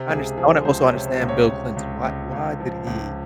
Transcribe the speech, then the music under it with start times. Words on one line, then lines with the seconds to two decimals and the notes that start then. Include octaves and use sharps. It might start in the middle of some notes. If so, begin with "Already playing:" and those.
Unders I wanna also understand Bill Clinton. Why why did he,
Already playing: C3
0.10 C#2 G#4
0.38 F3 G#4
0.65 C#2 C5
0.86 C#5
0.93 C3
1.08 C5
1.20 C#2
1.29 C#5
1.49 C#2
1.77 C#2
2.05 C#2
2.33 C#2
2.60 F3
2.87 C#2